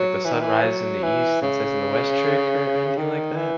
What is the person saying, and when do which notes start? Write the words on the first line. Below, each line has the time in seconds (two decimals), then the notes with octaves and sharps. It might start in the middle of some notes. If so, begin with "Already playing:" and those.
like, the sun rises in the east and sets in the west trick or anything like that,
Already playing: F#3
0.25 E3
0.33 D#3
0.41 E3
0.63 F#3
1.03 E3
1.42 C#3
2.97 D#3
3.36 E3